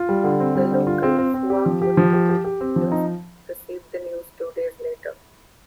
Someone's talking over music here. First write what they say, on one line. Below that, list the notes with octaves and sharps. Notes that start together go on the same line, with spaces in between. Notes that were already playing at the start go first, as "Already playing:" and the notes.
The local Fua Mulaku leaders received the news two days later.
Already playing: F4
G3
D3
C4
G3
D3
F4
C4
C4
C4
G4
F3
G4
F3
G4
G4
G4
C4
F3
D#4